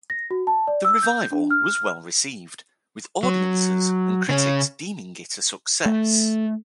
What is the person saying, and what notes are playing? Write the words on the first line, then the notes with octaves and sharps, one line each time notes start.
The revival was well-received, with audiences and critics deeming it a success.
A#6
F#4
A5
D5
E6
G6
D4
F6
F#3
C#3 C#4
A3